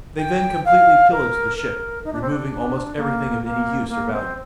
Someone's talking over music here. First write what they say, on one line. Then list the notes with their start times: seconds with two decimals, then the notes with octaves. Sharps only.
They then completely pillaged the ship, removing almost everything of any use or value.
0.17 G5
0.65 F5
1.11 A#4
1.57 A#4
2.04 D#4
2.12 D4
2.21 C4
2.29 D4
2.50 D4
2.96 A#3
3.43 A#3
3.89 A#3
4.12 C4